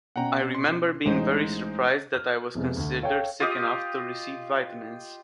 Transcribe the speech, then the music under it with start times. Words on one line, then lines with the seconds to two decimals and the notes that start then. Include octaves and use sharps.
I remember being very surprised that I was considered sick enough to receive vitamins.
0.16 B2 C#4 F#5 G5 A#5
0.54 C6
1.06 A1 G#3 D#4 C5
2.15 F6
2.55 F2 C3 G#3 B3
2.77 D2
3.03 A4 C#5 F5 G5
3.40 F4 G4 D#5